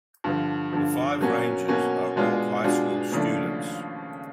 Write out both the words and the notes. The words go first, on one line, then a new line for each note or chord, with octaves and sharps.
The five rangers are all high school students.
G2 D3 F3
G2 D3 F3
B2 F#3 A#3 C#4 F#4
B2 F#3 A#3 C#4 F#4
B2 G#3 B3 D4 F4
B2 G#3 B3 D4 F4
D#2 C#3 F3 A3 D4